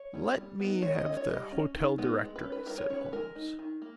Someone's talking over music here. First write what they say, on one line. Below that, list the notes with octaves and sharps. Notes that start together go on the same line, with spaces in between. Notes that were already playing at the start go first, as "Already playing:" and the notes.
"Let me have the Hotel Directory," said Holmes.
Already playing: C#5
G3 C#4
G3
B3 D#4
G#3 C#5
D#5
C#4 D#5
C#5
G3 D#5
C#4
D#3
G#3 B3 D#4
G#3
B4
C#4
B4
G3 A#4
C#5
C#4 C#5
B4
G#3 A#4
D#4
D#3
A#3